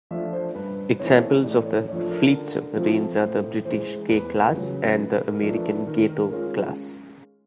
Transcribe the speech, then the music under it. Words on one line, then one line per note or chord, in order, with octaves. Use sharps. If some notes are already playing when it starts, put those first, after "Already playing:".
Examples of fleet submarines are the British K class and the American "Gato" class.
F3 A3 D4 F4 E5
C5
G2 B4
E3 A3 C4 D#4 C#5
A2 D5
C#5
F3 A3 D4 C#5
A#4
D3
F3 A3 C4 F4
A2 C5
E3 G#3 C5
E2 B4
C#3 F#3
A2 B4
A#4
F3 A3 D4
B4
D#3 A#4
A#4
G#3 C#4 F4 A#4